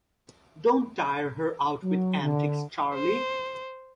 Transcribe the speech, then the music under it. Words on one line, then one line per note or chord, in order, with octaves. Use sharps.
Don't tire her out with antics, Charlie.
F#3
D3
C5